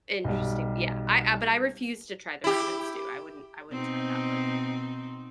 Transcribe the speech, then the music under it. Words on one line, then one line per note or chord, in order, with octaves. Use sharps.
Interesting, yeah, I I but I refuse to try the rabbit stew, I wouldn't I wouldn't try that one.
B1 G3
E4 G4
B2 C4 D#4